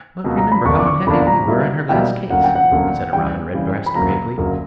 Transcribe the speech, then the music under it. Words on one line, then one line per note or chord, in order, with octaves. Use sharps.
"But remember how unhappy we were in her glass case," said a robin redbreast, gravely.
C#2 B2 A#3
A#5
B5
F#1 E2 D3 A#3 D4 C#6
D6
C#6
F#1 E2 D3 A#3 D4 B5
A#5
B1 B2 G3 A#3 E4
B1 B2 G3 A#3 E4 G5
G1 F#2 D3 A#3 F#5
G5
F#5
G1 F#2 D3 A#3
C#3 E3 G3 G5
C#3 E3 G3
B5
F#1 F#2 D3 F#3 A#3 A#5
F#1 F#2 D3 F#3 A#3